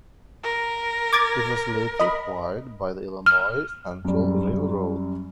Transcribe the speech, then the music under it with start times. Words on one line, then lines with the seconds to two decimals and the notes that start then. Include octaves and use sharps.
It was later acquired by the Illinois Central Railroad.
0.43 A#4
1.13 D6 G#6 A6
2.00 D#5 B5
3.26 F6
4.05 F#2 G3